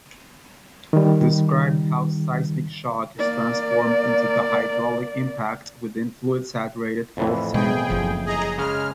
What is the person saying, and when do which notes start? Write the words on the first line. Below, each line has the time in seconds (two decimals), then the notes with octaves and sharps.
Described how seismic shock is transformed into the hydraulic impact within fluid-saturated fault zone.
0.93 D#3 G3
3.18 A#3 D5
7.17 F2 A2 E3
7.54 B2 G#4 G5
7.90 F#1 F3
8.26 G#4 D#5 A#5
8.58 C#3 G#3 G#4 F6